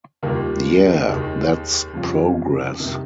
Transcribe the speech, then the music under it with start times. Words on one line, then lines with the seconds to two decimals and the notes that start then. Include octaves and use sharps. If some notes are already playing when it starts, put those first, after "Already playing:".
Yeah, that's progress.'.
0.23 D#2 D#3 G3 A#3 F4
1.08 D#2 D#3 G#3
1.93 F2 C#3 G3 C#4 F4
2.80 C2 C3 D#3